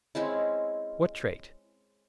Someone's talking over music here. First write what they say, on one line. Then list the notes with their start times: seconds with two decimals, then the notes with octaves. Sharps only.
What trait?
0.15 G#3 C4 C#4 E4